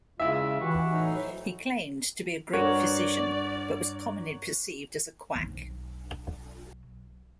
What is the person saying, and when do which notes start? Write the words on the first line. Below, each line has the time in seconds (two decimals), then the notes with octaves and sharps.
He claimed to be a "great physician", but was commonly perceived as a quack.
0.20 C#3 G#3 E4 F4 E5
0.60 E3 F#4 G4
0.91 A2 F#3 D#4
2.53 G2 F#4 A#4 C#5 D5
5.36 B1 F#3